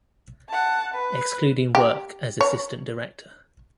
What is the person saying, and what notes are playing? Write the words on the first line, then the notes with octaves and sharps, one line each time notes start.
Excluding work as assistant director.
F#5 A5
B4
G4
C#5